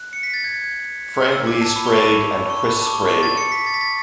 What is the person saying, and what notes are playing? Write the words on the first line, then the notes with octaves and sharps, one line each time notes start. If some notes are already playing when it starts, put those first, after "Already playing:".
Frank Lee Sprague and Chris Sprague.
Already playing: F#6
C#7
B6
A6
G#6
E6
D6
A5
B5
C#6
B5
C#6
B5
A5
D6
C#6
C#6
A6
C#7
B6
A6
B6
A6